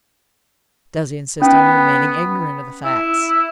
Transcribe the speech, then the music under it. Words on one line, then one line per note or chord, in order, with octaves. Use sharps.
Does he insist on remaining ignorant of the facts?
B3 C#4
E4